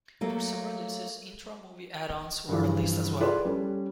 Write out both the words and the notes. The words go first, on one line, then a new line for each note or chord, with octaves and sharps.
For some releases, intro movie add-ons were released as well.
F#3 A3 A#3
G2 E3 F3
F4 G#4 A4 B4 D5
G3 C#4 A4